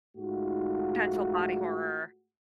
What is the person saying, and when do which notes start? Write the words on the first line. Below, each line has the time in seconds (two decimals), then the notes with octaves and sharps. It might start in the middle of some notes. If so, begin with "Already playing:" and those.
potential body horror.
0.16 G#2 A3 D#4 F4 F#4